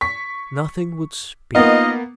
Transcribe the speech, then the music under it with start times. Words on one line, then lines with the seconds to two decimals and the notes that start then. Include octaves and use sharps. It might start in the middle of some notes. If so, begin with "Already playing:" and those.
Nothing would speak.
0.01 C#6 B6
1.55 A#3 B3 D#4 F4 D#5